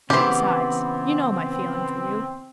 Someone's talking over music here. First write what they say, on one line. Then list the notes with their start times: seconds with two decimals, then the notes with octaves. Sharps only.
Besides, you know my feeling for you.
0.10 C#3 E3 B3 C4 G4 C5